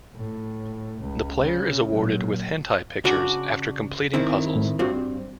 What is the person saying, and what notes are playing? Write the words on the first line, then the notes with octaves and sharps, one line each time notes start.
The player is awarded with hentai pictures after completing puzzles.
A2
C#2
C#3
A#2 F#3
C#3 D4 F#4
D#3 C4 E4
A2
G2 C4 F4 F#4